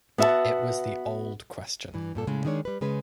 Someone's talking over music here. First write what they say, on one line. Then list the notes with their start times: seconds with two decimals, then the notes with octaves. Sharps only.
It was the old question.
0.18 B3 F#4 E5 F5 A5
1.94 G2 E3
2.15 G2 A#2 A4
2.27 A2 C#3 G#3
2.45 D#3 G#3 D4 C#5
2.65 G3 B4
2.81 C#3 G#3 B4